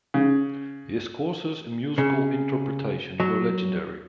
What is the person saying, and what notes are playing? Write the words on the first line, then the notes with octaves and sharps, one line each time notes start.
His courses in musical interpretation were legendary.
C#3
C#3
F#3